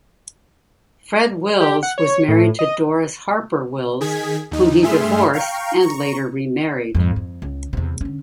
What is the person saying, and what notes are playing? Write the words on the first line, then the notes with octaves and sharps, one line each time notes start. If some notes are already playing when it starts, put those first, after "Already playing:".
Fred Wills was married to Doris Harper-Wills whom he divorced and later remarried.
G4
F#5
C#5
A2
D#5
D#3 G#4 G#6 B6
D#2 D#4
G2 A3 G#4 E5 C6 F6
F5 G5 A#5 C#6
A#5 C#6
F2 G#2
F2
C#2
E2 C3
D3 C#4